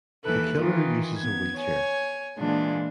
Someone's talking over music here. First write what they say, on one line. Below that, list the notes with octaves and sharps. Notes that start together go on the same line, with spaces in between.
The killer uses a wheelchair.
D#2 E3 E4 A4 B4 F#6
D#3 E3 D#4 F4
B3 G#6
C#5 G#5
A#2 E3 G#3 D4 F4